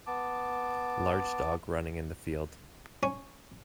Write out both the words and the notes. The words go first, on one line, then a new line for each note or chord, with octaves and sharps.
Large dog running in the field.
B3 A5 D6
C#4